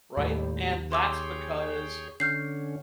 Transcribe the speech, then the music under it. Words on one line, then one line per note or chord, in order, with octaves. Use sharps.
right? And that's because
D#2 A2 G3
G#4 C#5 G5 C6 D6 E6
D3 C#4 F6 G6 C7